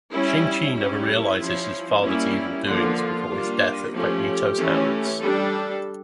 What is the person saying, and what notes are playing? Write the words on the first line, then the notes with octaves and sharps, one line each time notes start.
Shang-Chi never realizes his father's evil doings before his death at Magneto's hands.
G3 C#4 E4
G3 C#4 E4
F3 C#4
G3 A#3 C#4 E4
D3 F3 A#3 D4 F4
G3 A#3 D4
F3 A3 C#4 G4
E3 A3 C#4
G3 D4 A4